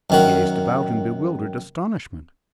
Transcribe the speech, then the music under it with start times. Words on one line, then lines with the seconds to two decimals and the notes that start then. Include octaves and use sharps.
He gazed about in bewildered astonishment.
0.10 F#2 D#3 F#4